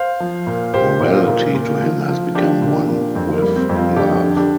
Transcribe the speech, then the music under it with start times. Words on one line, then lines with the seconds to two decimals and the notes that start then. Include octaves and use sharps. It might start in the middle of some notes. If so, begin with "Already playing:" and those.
Morality to him has become one with love.
Already playing: C5 F5
0.20 F3
0.47 A#2
0.74 A#2 G4 C5
1.00 A#2
1.14 F4 A#4
1.27 A#2
1.54 A#2
1.81 F3
2.08 F3
2.35 F3 D4 G4
2.62 A#2
2.88 A#2
3.15 F2 C4
3.36 A#3
3.42 G3
3.56 C4
3.69 F2
3.76 C4 F4
3.96 F2 D4 G4
4.24 D3
4.36 D4 G4